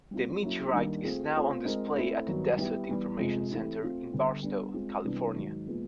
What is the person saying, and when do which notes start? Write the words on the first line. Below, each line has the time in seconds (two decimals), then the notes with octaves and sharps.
The meteorite is now on display at the Desert Information Center in Barstow, California.
0.11 G3 C4 F4
0.43 F#3 A#3 C#4 E4
0.73 D#3 G3 A#3 D4
1.03 A3 C4 F4 G#4
1.35 A3 C4 F4 A4 C5
1.65 G#3 C4 F4 A#4 D#5
1.96 A3 C4 E4
2.27 G2 D#3 F#3 B3 D#4
2.58 G3 B3 E4 G4
2.89 E3 G3 B3
3.19 F2 C3 F3 G#3
3.50 E3 A3 C4 E4 G4
3.82 A3 C4 F4
4.12 D3 G3 B3
4.43 G3 B3 D4
4.73 G#3 C4 F4
5.04 C3 E3 G3 B3 D4
5.35 G#2 D#3 F#3
5.67 A#2 F3 G#3 B3